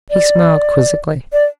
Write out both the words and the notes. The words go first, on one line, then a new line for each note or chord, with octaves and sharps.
He smiled quizzically.
D5
D5